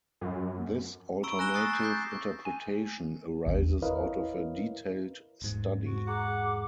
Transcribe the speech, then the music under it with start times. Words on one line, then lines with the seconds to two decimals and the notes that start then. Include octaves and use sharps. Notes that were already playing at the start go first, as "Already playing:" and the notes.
This alternative interpretation arises out of a detailed study.
0.21 F#2
1.23 A#5 B5 C#6 E6 D7
1.38 G#5 F#6 A#6 E7 G7
1.54 C#6 D#6 F#6 A6 A#6 C7
1.70 C#6 G6
1.83 D6 D#6 G6 A6 C7
2.45 G#5
3.46 G#1 E2
3.82 E4 A#4 B4 C#5 D#5 F5
5.42 E1 G#2
5.86 F#4
6.07 G#4 F#5 A#5 D6